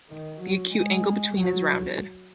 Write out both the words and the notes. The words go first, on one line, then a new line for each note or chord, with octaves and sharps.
The acute angle between is rounded.
D#3
F#3
G#3
F#3